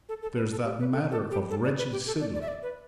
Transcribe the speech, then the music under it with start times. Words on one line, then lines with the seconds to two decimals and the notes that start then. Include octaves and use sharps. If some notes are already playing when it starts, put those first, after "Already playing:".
There's that matter of Reggie Sidley.
0.09 A4
0.22 A4
0.36 B4
0.51 A4
0.65 G4
0.79 B4
0.93 A4
1.11 A4
1.31 G4
1.50 A4
1.64 D5
1.78 B4
1.92 G4
2.07 A4
2.21 D5
2.34 D5
2.41 E5
2.48 D5
2.63 B4